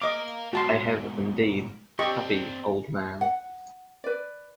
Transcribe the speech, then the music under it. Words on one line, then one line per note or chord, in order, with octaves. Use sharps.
I have, indeed, Tuppy, old man.
A#4 D#5 F5 D6
G#2 B2 F#4 A5 C6
C4 D4 G4 D#5 C#6
F#5
B4 D5